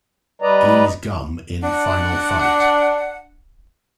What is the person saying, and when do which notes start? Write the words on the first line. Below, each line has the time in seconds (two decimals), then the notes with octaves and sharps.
E's gum in "Final Fight".
0.42 G3 B4 D5 D#5 A#5
1.62 D4 F#5